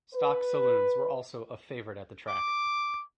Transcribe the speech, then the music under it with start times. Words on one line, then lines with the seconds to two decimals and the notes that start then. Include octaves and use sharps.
Stock Saloons were also a favourite at the track.
0.14 B4
2.28 D6